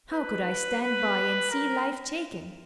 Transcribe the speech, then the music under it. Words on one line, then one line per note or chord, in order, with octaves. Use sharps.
How could I stand by and see life taken?
B4
B4
A#4